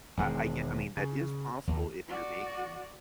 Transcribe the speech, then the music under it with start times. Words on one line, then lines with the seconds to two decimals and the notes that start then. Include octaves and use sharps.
I I get I mean, that is possible if you're making
0.17 E1 D#3 G#3
0.97 C#3
1.67 D#2
2.08 F#4 D5